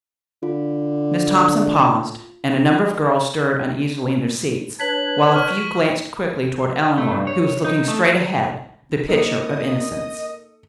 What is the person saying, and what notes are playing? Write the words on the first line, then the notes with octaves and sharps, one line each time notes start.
Miss Thompson paused and a number of girls stirred uneasily in their seats, while a few glanced quickly toward Eleanor, who was looking straight ahead, the picture of innocence.
D3 F4
D4 B4 C#5 B6 F#7
C#6 F6
A3
G2
C#5
D#4
A3
A#3 D#4 A4 A#4 D#5 D#6 C#7